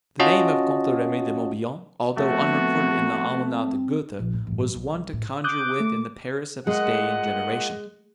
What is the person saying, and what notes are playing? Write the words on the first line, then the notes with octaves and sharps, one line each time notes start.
The name of Comte Remy de Morbihan, although unrecorded in the Almanach de Gotha, was one to conjure with in the Paris of his day and generation.
C#4 F4 F#4 D#5 A5
F3 A3 B3 C4 F#4
A#1
A2
A1 G2
B1
C2
A2
D6 D#6 F#6 G6
A3
A#2 G#3 D#5 F#5